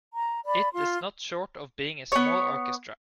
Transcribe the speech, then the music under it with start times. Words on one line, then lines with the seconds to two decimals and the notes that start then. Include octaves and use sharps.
It is not short of being a small orchestra.
0.13 A#5
0.45 D5 B5
0.72 F4 C6
2.12 B3 C#5